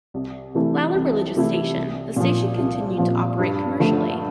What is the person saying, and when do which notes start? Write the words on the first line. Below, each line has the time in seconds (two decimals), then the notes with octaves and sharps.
While a religious station, the station continued to operate commercially.
0.14 C2
0.54 C3 E3 A3 E4
0.95 C2
1.36 C3 E3 A3 E4
1.77 C2
2.16 A#2 F3
2.57 C2
2.98 A#2 F3
3.39 G2
3.80 D3 F3 A3